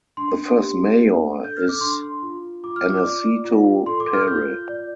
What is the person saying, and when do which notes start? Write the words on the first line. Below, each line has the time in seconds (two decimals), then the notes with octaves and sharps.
The First mayor is Aneceto Pere.
0.17 D4 C6
0.59 G4
0.99 D4
1.40 A4 G6
1.57 F6
1.69 D6
1.81 D4 C6
2.22 F4
2.63 F4 D6
2.76 F6
2.90 D6
3.04 D5
3.45 F4
3.86 A4 C6
4.00 D6
4.13 F6
4.27 F4 G6
4.69 D5